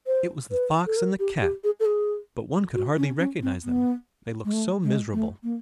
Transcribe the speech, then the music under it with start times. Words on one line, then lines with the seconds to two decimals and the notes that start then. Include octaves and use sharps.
It was the Fox and the Cat, but one could hardly recognize them, they looked so miserable.
0.07 C5
0.51 B4
0.86 A4
0.97 A#4
1.19 G4
1.41 G4
1.64 G#4
1.80 A4
1.86 G#4
2.74 F#4
2.98 C#4
3.19 C#4
3.42 C4
3.64 B3
4.45 G#3
4.53 A3
4.84 G#3
5.13 A3
5.43 A#3